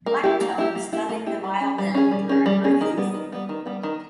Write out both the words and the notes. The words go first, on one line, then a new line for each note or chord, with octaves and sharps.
Blectum studied the violin during her youth.
A#3
E4 G4
A#3
E4 G4
A#3
E4 G4
A#3
E4 G4
G3
C#4 G#4
G3
C#4 G#4
G3
C#4 G#4
G3
C#4 G#4
D#3
G3 B3
D#3
G3 B3
D#3
G3 B3
D#3